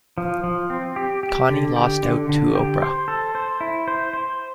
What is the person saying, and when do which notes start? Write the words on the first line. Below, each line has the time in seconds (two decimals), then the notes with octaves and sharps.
Connie lost out to Oprah.
0.18 F3
0.44 F3
0.70 C4
0.96 G4
1.23 G4
1.49 D3
1.76 G4
2.03 D3
2.29 D3
2.55 G4
2.82 C5
3.08 A4
3.35 C5
3.61 E4
3.88 C5
4.13 C5